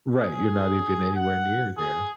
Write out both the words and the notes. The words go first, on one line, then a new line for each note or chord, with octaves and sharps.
Right. You're not even anywhere near there.
G#4
F#5
G#4